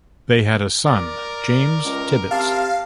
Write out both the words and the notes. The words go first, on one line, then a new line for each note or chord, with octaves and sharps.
They had a son, James Tibbets.
A#4 D5
C#2
C3 F5 A5